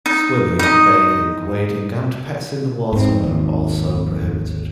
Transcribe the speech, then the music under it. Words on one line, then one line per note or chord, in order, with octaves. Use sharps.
Swimming, bathing, wading and pets in the water are also prohibited.
D#4
D#4 D#5
G#2 C4
G#1 D#2